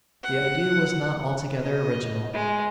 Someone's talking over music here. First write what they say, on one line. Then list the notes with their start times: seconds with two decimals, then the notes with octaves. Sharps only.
The idea was not altogether original.
0.24 F#5
1.63 D#5
2.34 G#3